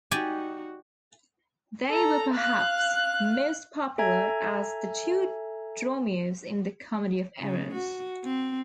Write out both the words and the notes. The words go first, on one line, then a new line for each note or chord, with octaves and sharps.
They were perhaps most popular as the two Dromios in "The Comedy of Errors".
D#4 F#4 G4 D5 G#5
A4 A#5
F5 F#6
A4 E5 G#5 A#5 G#6
C#3
F#4
C4